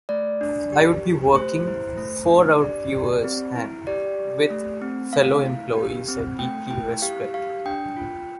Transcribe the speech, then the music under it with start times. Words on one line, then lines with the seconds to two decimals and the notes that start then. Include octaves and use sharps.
I would be working "for our viewers", and "with" fellow employees I deeply respect.
0.09 A3 D5
0.41 D4
0.72 G4
1.04 G4
1.35 A3 C5
1.67 E4
1.98 A3
2.30 D4
2.61 G4 D5
2.92 G4
3.24 C4
3.56 E4
3.87 G4 D5
4.19 G4
4.51 A3
4.82 C4
5.13 A3 F5
5.45 E4
5.77 G4
6.08 C4
6.39 A3 G5
6.71 E4 G5
7.02 G4 F5
7.34 G4 F5
7.65 D4 G5
7.97 F4